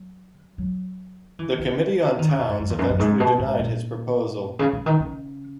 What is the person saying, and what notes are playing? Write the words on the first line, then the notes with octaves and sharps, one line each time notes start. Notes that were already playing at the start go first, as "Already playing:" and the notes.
The Committee on Towns eventually denied his proposal.
Already playing: F#3
F#3
E3
E3
D#3
C#3
B2
G#2
F#2
E2
F#2
F#2
G#2
B2
G#2
A#2
C#3
C#3
D#3
C#3